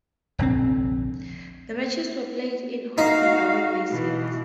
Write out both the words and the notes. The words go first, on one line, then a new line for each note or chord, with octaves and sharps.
The matches were played in a home-and-away basis.
F1 A#1 D3 C4
D#4 F#4 F5
B2 E3